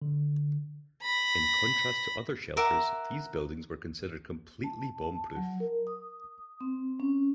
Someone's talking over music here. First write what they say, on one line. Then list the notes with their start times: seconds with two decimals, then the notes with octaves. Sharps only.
In contrast to other shelters, these buildings were considered completely bomb-proof.
0.02 D3
1.03 B5 A#6
2.57 A#4 E5 F#5 D6
4.64 A5
5.02 A5
5.36 F#3
5.60 A#4
5.87 D#6
6.61 C4
7.00 C#4